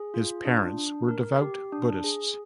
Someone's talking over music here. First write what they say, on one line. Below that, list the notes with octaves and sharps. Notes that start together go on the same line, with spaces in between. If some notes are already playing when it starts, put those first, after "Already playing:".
His parents were devout Buddhists.
Already playing: G#4
F4
D4
D4
A#4
G4
D4
G#4